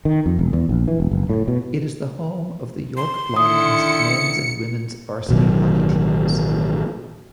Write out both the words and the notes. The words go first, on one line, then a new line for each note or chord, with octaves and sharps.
It is the home of the York Lions men's and women's varsity hockey teams.
D#3
F2
E1
E2
A#1
E3
E1
F#1
A2
B2
C6
D3 D#3 E4 D#6 C#7
A1 B2 D#3 F#3